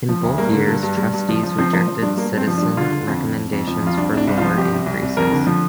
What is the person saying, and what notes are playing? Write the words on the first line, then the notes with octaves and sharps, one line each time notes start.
In both years trustees rejected citizen recommendations for lower increases.
F3
D2
G2 A#3
D3
G2
G2
G2
G2
F3
F3
F3 C4
F3 A#3
F3
G2 D4
G2 A#3
G2 C4
F3
D4
G2
D3 F4
D3
F2
F2
F2
F2
F3
F2 F4
C2 D4
C3 D4
C2
F4
F3
C2 G4
C3
C2
C2
F2 A#4
D3
F3